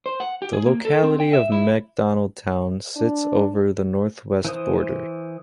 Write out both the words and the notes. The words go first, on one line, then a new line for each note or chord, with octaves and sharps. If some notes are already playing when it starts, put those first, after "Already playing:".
The locality of Macdonaldtown sits over the north-west border.
C5
F#5
G4
G#4
A#3
A4
C4
G5
E5
E4
D4
E3 C5 D#6